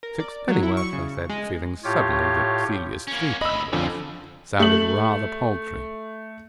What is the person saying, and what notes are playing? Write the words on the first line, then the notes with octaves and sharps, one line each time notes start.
"Sixpennyworth," I said, feeling suddenly that Celia's threepennyworth sounded rather paltry.
A#4
D5
F#3
E4
C#6
C#3
G#3
A2 F4 G4 C#5
A#3 C#4
D2 D#5 B5 E6
F2 D3 C#4 F4
A3 F#7